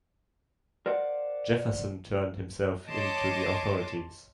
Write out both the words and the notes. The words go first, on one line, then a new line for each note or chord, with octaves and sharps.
Jefferson turned himself in to the authorities.
A#4 C5 D5 F5 F#5
C#5 D#5 A5 C6 D6